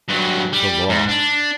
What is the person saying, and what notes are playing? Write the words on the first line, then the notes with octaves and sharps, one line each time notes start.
The Law.
G2 F#3
G3
G#2
D4